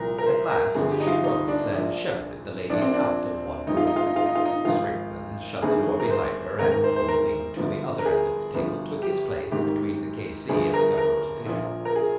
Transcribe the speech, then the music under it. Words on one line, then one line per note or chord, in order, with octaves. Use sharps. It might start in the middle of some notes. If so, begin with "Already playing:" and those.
At last she rose and shepherded the ladies out of one room. Strickland shut the door behind her, and, moving to the other end of the table, took his place between the K.C. and the Government official.
Already playing: C2 A#2 F3 A#4
A#4
C5
A#4
G1 G2 D3 F3 G#4
G4
D#4
F4
D#4
D4
A#1 A#2 F3
A#1 A#2 F3 D4
C4
D4
G#1 G#2 F3 D#4
F4
D#4
F4
D#4
F4
D#4
F4
D#4
G#1 G#2 F3 F4
G1 G2 D#3 G#4
A#4
C5
G#1 G#2 D#3 A#4
A#4
C5
C5
A#4
G1 G2 D3 F3
A#4
G#4
G1 G2 F3
G4
G#1 G#2 D#3 G4
G1 G2 D3 F3 G#4
A#4
A#4
A#1 A#2 F3
A#4
G#4